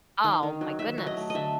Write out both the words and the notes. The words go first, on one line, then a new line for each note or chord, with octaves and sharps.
Oh my goodness.
D#3 F5
D#3
F#3
F#3 E5
F#3
D#5
A3
D#5
D3 E5